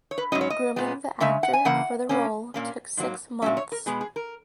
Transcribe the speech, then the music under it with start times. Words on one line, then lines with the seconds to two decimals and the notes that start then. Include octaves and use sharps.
Grooming the actor for the role took six months.
0.11 C#5
0.18 B4
0.32 G#2 F#3 C#4 D#5
0.41 C#5
0.50 D#5
0.76 A#2 G#3 B3
1.20 C#3 G#3 C#4 E5
1.43 F#5
1.53 G#5
1.65 C#3 E3 A#3 F#5
2.09 B2 A#3 C#4
2.54 A#2 A#3 C#4
2.97 G#2 F#3 A#3
3.42 A#2 F#3 C#4 E5
3.57 C#5
3.72 A#4
3.86 B2 G#3 B3 G#4
4.01 G#4
4.16 A#4